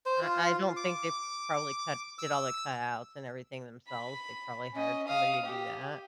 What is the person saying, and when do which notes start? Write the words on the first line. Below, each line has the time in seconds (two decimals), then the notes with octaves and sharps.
Uh, I don't think they probably cut did all the cutouts, and everything themselves, they probably hired somebody to do that.
0.06 C5
0.22 F4
0.76 D6
2.18 E6
3.89 B5
4.73 C#4 D#5
5.08 F5 D#6
5.45 G4